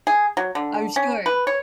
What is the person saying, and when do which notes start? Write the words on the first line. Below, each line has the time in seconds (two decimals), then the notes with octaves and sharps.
I'm sure.
0.07 G#4
0.37 F#3
0.55 D3
0.96 C#4
1.26 B4
1.47 C#5